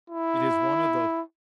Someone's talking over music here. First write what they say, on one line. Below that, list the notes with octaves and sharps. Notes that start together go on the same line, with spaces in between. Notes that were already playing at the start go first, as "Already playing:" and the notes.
It is one of those.
E4